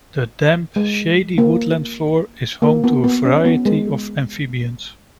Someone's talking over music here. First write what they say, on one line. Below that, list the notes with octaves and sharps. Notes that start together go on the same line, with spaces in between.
The damp, shady woodland floor is home to a variety of amphibians.
G#3
A#3
A#3
B3
B3
C#4
B3
G#3